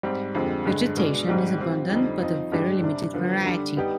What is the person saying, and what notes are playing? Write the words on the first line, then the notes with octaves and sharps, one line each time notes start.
Vegetation is abundant but of very limited variety.
G#2 G3 C4
F2 D3 G#3 C4 G4
G2 D3 G#3
B2 G#3 D4
G#2 D#3 G3 C4
F3 C4 G4
F2 D3 G3 C4 D#4
F3 C4 D#4
G2 D3 G#3 D4 G4
C3 G3 D4
D3 F3 B3
D3 G3 D4
G3 B3 D#4 G4